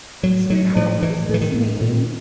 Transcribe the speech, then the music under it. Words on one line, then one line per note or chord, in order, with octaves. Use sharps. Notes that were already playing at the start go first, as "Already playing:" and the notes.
"Sweetheart, what does this mean?"
A2 F#3
A2 F#3
A2 F3
A2 E3
A2 E3
D#3
A2
A#2